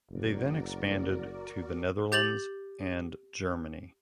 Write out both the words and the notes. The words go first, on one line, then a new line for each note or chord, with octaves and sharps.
They then expanded to the Netherlands and Germany.
F#1 F#4 A#4 D5
G4 G6 A6 F7 F#7